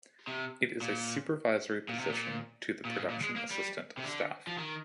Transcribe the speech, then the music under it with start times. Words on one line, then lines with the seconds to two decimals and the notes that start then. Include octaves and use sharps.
It is a supervisory position to the Production assistant staff.
0.27 C3
0.81 A#2
1.88 A#2
1.99 C3
2.10 A#2
2.85 A#2
2.96 G#2
3.10 A#2
3.23 G#3
3.36 A#3
3.51 G3
3.97 C3
4.04 D3
4.47 F3
4.58 D#3